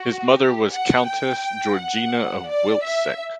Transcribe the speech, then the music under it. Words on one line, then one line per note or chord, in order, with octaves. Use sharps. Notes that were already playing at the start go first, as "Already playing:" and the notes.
His mother was Countess Georgina of Wilczek.
Already playing: F#4
G4
F#5
G5
F#5
D5
E5